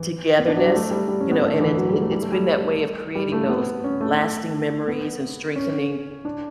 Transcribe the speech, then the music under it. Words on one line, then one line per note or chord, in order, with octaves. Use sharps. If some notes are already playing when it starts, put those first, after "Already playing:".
togetherness, you know, and it it it's been that way of creating those lasting memories and strengthening,
Already playing: E3
B3
D4
F#3
G3
A3
G3
G3
C#4
B3
A3
D3
E3
F#3
G3
A3
G3
A3
G3
G3
A3
B3
C#4
A3
B3
C#4
D4